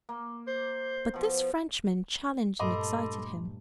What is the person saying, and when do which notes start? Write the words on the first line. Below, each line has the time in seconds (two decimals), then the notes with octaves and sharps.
But this Frenchman challenged and excited him.
0.09 A#3
0.48 C5
1.14 B2 F3
2.60 G2 A#2 A3 A4 D#5 B5 C6 D6